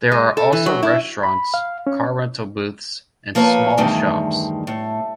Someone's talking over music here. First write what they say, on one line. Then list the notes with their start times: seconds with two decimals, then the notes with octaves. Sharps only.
There are also restaurants, car rental booths and small shops.
0.12 G#3
0.37 A4
0.52 E3
0.66 F#3
0.83 E4
1.23 B5
1.54 F5
1.87 C#4
3.35 F3 A#3 B4 C#5
3.78 E2 G2 D#3 F3 A3
4.67 A2